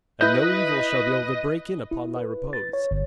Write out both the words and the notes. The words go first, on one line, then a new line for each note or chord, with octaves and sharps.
And no evil shall be able to break in upon thy repose.
E4 B4 D#5 G6
E4
B4
A6
C#5
G1